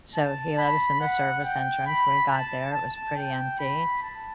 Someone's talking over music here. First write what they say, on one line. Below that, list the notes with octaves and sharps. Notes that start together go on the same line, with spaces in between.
So he let us in the service entrance, we got there, it was pretty empty,
A5
B5
F#5
G5
B5
A5
A5
G5
B5
A5